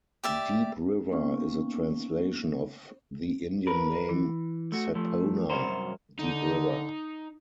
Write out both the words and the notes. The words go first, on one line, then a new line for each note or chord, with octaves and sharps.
Deep River is a translation of the Indian name "sapponah", "deep river".
G4 D5 E5
A#3 B3 C#4 D#4 C#6
A#4 B4
E3
A3 F#4
F3 A3
C2 F#2 F#3 F#4 A#4 C5
D3 D#4